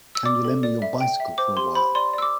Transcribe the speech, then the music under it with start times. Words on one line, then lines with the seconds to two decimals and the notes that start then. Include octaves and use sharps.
Can you lend me your bicycle for a while.
0.15 E6
0.25 D5 D6
0.44 A4
0.63 D5
0.82 E5
1.00 G5
1.20 E5
1.38 C5 D6
1.57 G4 C6
1.75 C5 B5
1.95 D5 C6
2.13 D5 E6
2.22 D6